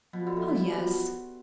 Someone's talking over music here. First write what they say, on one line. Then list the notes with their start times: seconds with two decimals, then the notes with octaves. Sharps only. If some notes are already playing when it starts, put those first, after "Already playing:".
Oh, yes.
0.13 B2 F3
0.27 D3
0.37 C3
0.48 B2 F3
0.65 G3
0.71 B2
0.82 F3